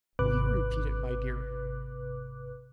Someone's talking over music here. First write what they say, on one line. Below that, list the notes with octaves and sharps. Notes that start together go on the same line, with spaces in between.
Will you repeat it, my dear?'
G#1 C3 B4 D6 F#6